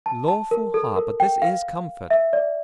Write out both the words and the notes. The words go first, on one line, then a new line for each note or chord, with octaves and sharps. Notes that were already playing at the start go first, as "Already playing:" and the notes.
Lawful heart, but this is comfort.
A5
A5
A#4
A4
A#4
G5
F5
E5
D5